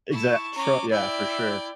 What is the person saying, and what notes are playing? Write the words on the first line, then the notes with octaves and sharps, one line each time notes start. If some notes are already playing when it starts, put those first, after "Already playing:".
exact, tra yeah, for sure.
E4 A5 C#6
C#4 A#5 D6
E4 D5 E5 G5